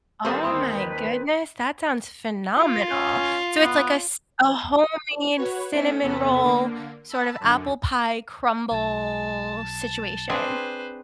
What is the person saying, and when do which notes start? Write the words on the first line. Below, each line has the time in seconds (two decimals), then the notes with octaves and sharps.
Oh my goodness, that sounds phenomenal. So, it's like a s a homemade cinnamon roll, sort of apple pie crumble situation.
0.25 D#3 G3 C4 A4 B4 D5 F5 D#6
0.43 G1 D#2 C5 B5 C6 D#6 E6
0.75 B4
2.58 F4
2.91 C#4
3.62 B3
5.36 F#4 B4 C#5 G#6
5.72 A3 C4 C#4 D#4 E5
6.02 E2 C3 B3 A4 B5 E6
6.42 D3 A#3
7.09 A5 B5 E6
7.40 F#2 D3
8.71 B1 A5
10.30 C4 D4 G#4 B4 C5